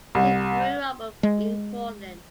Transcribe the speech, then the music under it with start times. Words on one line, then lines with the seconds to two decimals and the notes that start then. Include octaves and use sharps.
She grew up in Portland.
0.15 C2
1.23 G#3